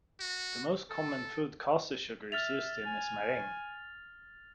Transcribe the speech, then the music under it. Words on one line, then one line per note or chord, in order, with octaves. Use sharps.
The most common food caster sugar is used in is meringue.
F#4
A4
E5 F6 A6 F7
G#5